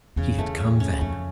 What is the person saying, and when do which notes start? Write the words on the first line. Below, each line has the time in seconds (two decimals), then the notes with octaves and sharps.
He had come then.
0.16 E2 C#3
0.37 E2 A3
0.58 C#4
0.80 C#4
1.01 F2 A3